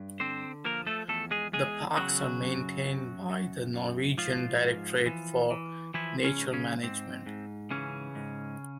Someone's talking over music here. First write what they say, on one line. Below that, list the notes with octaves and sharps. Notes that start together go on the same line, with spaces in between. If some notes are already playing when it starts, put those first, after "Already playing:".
The parks are maintained by the Norwegian Directorate for Nature Management.
Already playing: G2
D3 C4 C5
F3 A#3 A#4
A3 A4
E2 A3 A4
G#3 G#4
E2 G#3 G#4
C#3 F#3 F#4
F#2
F#2
F#2
F#2
G#2 F3 F4
G#2
E3
E3
E3 F3 E4
C#3 C#4
G#2
C#3 C#4
G#2 C4
G#2
C#3 E3 C#4
G#2